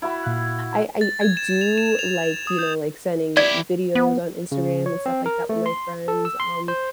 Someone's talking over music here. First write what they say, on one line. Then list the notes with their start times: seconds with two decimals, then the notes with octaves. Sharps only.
I I I do, like, you know, like sending videos on Instagram and stuff like that with my friends, um,
0.02 E4 F#4 B5
0.23 A#2 F5 F#6
1.01 A6
1.21 G#6
1.37 E7
1.61 F7
1.78 E7
1.99 F7
2.47 D#6
2.59 G6
3.37 E4 G4 D5 G#6
3.95 B3
4.52 C#3
4.86 C#5
5.06 C4
5.26 A#4
5.49 A3
5.66 C6
6.08 A4
6.25 E6
6.40 C6
6.68 C5